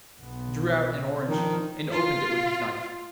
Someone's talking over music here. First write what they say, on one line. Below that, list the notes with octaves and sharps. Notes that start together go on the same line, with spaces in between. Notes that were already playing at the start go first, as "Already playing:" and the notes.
He drew out an orange and opened it with his knife.
B1 B3
D#3 F3 D4
F4